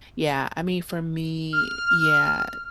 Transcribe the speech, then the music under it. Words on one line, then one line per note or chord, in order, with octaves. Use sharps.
Yeah. I mean, for me, yeah,
F6